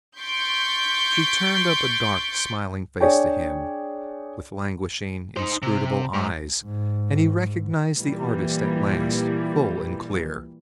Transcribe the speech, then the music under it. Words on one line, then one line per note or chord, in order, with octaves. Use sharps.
She turned up a dark, smiling face to him, with languishing, inscrutable eyes, and he recognized the artist at last, full and clear.
C6 C#6 G6 A6 B6 D7
D4 G#4 C#5 D5 G5
D#4 C5
C3
G#2
G#2
A#2 E3 G3